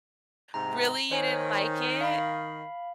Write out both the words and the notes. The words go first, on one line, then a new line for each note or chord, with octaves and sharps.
Really, you didn't like it?
G#2 C3 A#5
D#3 C5 C#5 G#5
F5 B5